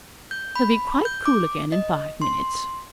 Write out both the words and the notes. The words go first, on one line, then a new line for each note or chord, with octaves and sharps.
He'll be quite cool again in five minutes.
G6
B5
G6
D6
D#5
C6